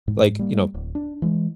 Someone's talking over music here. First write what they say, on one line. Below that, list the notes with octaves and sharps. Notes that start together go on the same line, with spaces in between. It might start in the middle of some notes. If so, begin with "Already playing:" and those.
like, you know,
G#2
G3 A#3
D1
D4
E3 G#3